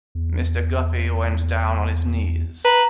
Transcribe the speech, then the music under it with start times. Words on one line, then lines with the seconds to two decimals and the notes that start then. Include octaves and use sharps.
Mr. Guppy went down on his knees.
0.15 E2
2.65 B4 A#5